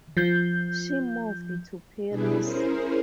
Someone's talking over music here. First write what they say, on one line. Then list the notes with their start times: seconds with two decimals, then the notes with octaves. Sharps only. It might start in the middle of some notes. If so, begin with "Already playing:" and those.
She moved to Paris.
0.17 F3 G6
2.09 B2 G3 D4 E4 G#4 B4
2.38 C#4 E4 G#4 A#4 C5